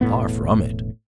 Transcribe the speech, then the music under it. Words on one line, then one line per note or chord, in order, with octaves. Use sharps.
Far from it.
E1 A2 B3